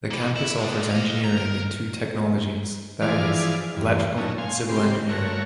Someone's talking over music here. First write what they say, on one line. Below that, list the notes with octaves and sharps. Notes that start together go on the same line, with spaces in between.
The campus offers engineering in two technologies, that is, Electrical and Civil Engineering.
E3 A#3
E4
G#3 D4
D#5 F5
A#5
A#4
E3 F3 G#4 D5 F6
E2 G2
F#3 A3 C#4 D#4
F5 G#5 C6
C#3 C4 G4 C6
A3 F#4 A#4 C#5